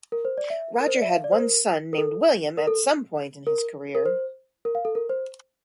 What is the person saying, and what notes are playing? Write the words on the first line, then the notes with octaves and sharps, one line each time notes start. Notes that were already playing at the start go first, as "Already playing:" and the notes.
Roger had one son, named William, at some point in his career.
A#4
C5
D5
E5
A#4
C5
D5
E5
F5
D5
C5
A#4
A#4
A4
A#4
A4
A#4
A#4
C5
A#4
F5
A4
A#4
C5